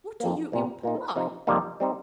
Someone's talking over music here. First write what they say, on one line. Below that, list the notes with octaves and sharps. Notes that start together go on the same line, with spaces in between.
What do you imply?
F2 F3 A#3
C2 A#2 G3
A#2 A#3 D#4
C3 F3 D#4
F2 C3 G3 A#3 D#4
G3 C4 D#4